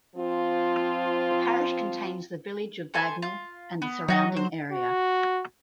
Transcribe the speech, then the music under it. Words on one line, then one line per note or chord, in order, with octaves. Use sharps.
The parish contains the village of Bagnall and the surrounding area.
F3 C4 F4
A4 C5 G#5
F4
B3
F#3 D#4 F#4 D#5
C5
F#4